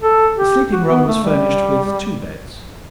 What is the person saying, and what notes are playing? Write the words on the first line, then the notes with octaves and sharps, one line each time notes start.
The sleeping-room was furnished with two beds.
A4
G4
F#4
B3
A3
G3